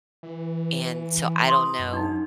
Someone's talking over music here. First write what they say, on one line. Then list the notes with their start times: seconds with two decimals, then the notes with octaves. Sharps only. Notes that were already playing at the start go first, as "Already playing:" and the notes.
and so, I don't know
0.23 E3
1.48 C6 D#6
1.79 F#2
1.93 D4 D#4